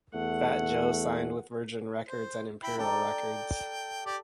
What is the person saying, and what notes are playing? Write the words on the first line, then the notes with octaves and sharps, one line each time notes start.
Fat Joe signed with Virgin Records and Imperial Records.
E2 A3 F#5
C5
E4 G5 B5
A4 D5 G5 A#5
G4 D5